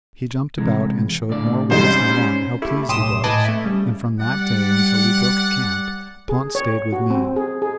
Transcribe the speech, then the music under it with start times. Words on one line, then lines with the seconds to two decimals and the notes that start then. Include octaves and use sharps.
He jumped about and showed more ways than one how pleased he was, and from that day until we broke camp, Pont stayed with me.
0.58 C3 E3 G#3
1.29 A2 D3 D5
1.71 G#2 C3 G3 C#4 D#4 C5
2.08 C#4
2.62 G3 A3 E4
2.88 B1 A2 G4 C6 D#6 E7
3.24 A2 B4 D#5 G#5 A5 D6
3.45 A3 E4
3.64 C#3 G3
4.20 G3 D5 F#5
6.29 G#4
6.55 C#5
6.93 F#4
7.10 C4
7.36 G#4
7.62 G#4